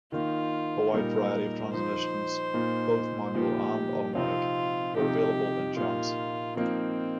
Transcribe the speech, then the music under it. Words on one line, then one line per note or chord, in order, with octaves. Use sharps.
A wide variety of transmissions, both manual and automatic, were available in Champs.
D#3 A#3 D#4 F4
A#2 G3 A#3 D#4 A#4
F3 D#4 C5
A#2 A#3 D#4
A#2 F3 D#4 G4
C3 F3 C4 D#4 F4
C3 F3 D#4 G4
A#2 A#3 D#4 F4
F3 A#3 C4 D#4